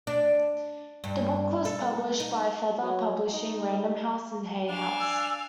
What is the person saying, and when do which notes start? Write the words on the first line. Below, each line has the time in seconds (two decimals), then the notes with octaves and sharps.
The book was published by Feather Publishing, Random House, and Hay House.
0.07 D4
1.04 G2
1.65 A4
2.20 D#4
2.83 F#3
3.34 D#4
4.69 D4 F5 G#5
5.00 E6